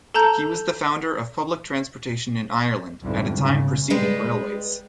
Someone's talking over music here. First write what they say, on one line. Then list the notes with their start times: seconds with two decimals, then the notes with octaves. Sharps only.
He was the founder of public transportation in Ireland, at a time preceding railways.
0.14 A4 A5 A#5 G6
3.03 B1 F2 G#2 D3 E3 G3
3.35 E2 G#2 C#3
3.90 G3 G#3 B4